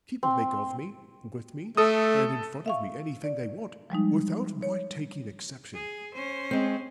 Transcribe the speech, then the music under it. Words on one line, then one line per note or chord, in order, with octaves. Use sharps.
People make of me, with me, and in front of me anything they want, without my taking exception.
C4
A3 A4 D#6
E5 F5 C#6
D5
F3 G3 G#3 D#4
C#5
G#4
C#4 C5
G#3 C4